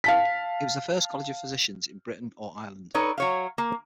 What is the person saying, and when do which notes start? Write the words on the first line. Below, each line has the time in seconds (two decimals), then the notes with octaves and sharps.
It was the first College of Physicians in Britain or Ireland.
0.04 F5 A5 B6
2.94 D#4 A4 B4 C#5 D5
3.18 F#3 C#5 F5
3.58 A#3